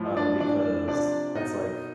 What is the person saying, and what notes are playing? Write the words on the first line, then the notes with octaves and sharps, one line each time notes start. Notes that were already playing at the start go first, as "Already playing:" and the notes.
um, because that's, like
Already playing: A2 F3
D4 D5
A2 E3 D4 D5
C3 F3 D4 D5
B2 D#4 D#5